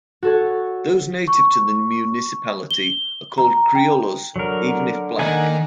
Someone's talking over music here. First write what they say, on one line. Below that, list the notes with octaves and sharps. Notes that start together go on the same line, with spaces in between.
Those native to the municipality are called criollos even if black.
F#4 A4 C#5
C#6
G7
A#5
G5
D3 F#3 A#4
D#3 A#3 D#5 F#5 G#5